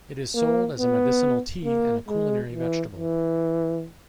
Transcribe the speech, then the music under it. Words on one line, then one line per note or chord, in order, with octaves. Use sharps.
It is sold as a medicinal tea, and a culinary vegetable.
A#3
B3
A#3
G#3
E3
E3